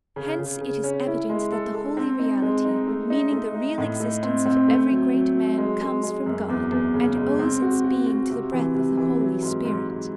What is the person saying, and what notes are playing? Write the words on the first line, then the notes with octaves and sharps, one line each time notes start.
Hence it is evident that the holy reality, meaning the real existence of every great man, comes from God and owes its being to the breath of the Holy Spirit.
C#3
C#3
C#3
C#4
E4
G#3
A4
A4
C4
D#4
G#3
D#4
A3
D#4
A3
D#4
A2
A3
C4
C4
A3
F#3
F#3
F#3
G#3
G#3
G#3
F#2
E2
E2
C#3
G#3
C4
F#4
F#4
F#4
C3
E3
C3
E3
F#3
G#2
G#2
G#2